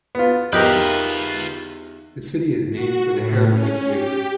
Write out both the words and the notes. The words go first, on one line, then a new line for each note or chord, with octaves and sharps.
The city is named for the Hereford breed.
B3 F4
E2 D#4 F4 G4 A#4 B4 F#6 G6
F#4
A2
C#4
G4